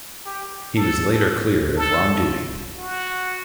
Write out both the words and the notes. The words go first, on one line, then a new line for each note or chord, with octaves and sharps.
He was later cleared of wrongdoing.
G4
A4
A4
F#4